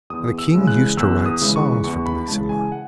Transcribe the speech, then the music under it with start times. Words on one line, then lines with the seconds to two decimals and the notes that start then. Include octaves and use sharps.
And the King used to write songs for Bellissima.
0.10 E2 D#6
0.38 E6
0.54 C#3 E3 G#3
0.67 F#6
0.97 E2 E6
1.26 D#6
1.41 C#3 E3 G#3
1.56 C#6
1.84 E2 C#6
2.06 B5
2.28 C#3 E3 G#3 A5
2.49 G#5
2.72 F#5